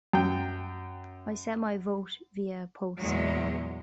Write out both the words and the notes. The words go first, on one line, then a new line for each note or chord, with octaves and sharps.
I sent my vote via post.
F#2 G5
E2 A#2 F#3 G#3